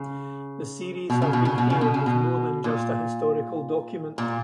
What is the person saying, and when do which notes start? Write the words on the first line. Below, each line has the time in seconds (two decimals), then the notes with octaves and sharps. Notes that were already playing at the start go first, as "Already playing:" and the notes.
The series has been hailed as more than just a historical document.
Already playing: C#3
1.10 B2
1.22 C#3
1.33 B2
1.45 C#3
1.58 B2
1.70 C#3
1.81 B2
1.94 C#3
2.06 B2
2.64 A#2
4.18 A#2